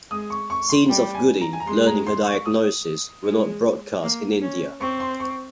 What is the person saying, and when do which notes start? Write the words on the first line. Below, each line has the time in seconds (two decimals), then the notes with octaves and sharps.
Scenes of Goody learning her diagnosis were not broadcast in India.
0.11 G#3 D#6
0.30 C#6
0.50 C#6
0.70 C6
0.89 G3 G5
1.15 G#5
1.41 A#5
1.53 G#5
1.60 A#5
1.67 G#3 C6
1.87 A#5
2.07 C6
2.26 C#6
2.46 D#6
3.24 G#3
4.03 A#3
4.42 C#4
4.81 C4 C#6
5.00 C6
5.20 C#6